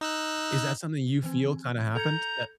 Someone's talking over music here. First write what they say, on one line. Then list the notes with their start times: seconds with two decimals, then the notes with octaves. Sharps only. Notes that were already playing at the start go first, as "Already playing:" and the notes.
Is that something you feel kinda happened? Eh
0.01 D#4 E6 F#6
1.23 D#3 E3 C4
1.95 A4 A#5 G6 G#6 C#7